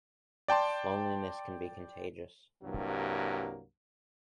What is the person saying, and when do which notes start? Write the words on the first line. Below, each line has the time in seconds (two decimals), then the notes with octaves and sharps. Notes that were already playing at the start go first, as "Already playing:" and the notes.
Loneliness can be contagious.
0.48 D5 G5 A5 C6
2.62 C2 G2 F#3 A#3